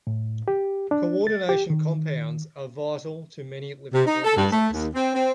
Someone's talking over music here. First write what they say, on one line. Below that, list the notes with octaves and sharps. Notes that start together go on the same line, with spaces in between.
Coordination compounds are vital to many living organisms.
A2
G4
D4
A6
G4
D#3
C3
D#4
A4
G2
A3
D#2
C4
C4